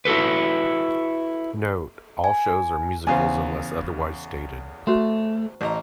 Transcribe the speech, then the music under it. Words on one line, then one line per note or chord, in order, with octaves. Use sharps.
Note: All shows are musicals unless otherwise stated.
E4 F#4 A4 B4
G#5
E2 C#3 C5 F5 G#5
A3 F#4 C5
A1 D#5 A#5